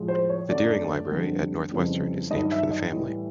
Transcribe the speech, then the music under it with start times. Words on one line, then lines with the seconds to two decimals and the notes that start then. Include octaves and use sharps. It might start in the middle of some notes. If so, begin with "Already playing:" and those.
The Deering Library at Northwestern is named for the family.
Already playing: A2 F3 G#3
0.08 C5
0.29 C#5
0.49 F#2 D3 F#3 A3 D5
1.10 F2 D3 G3
1.70 F2 C#3 E3 G3
2.30 G2 D#3 F#3 D#5
2.51 E5
2.71 D#5
2.91 A2 E3 G3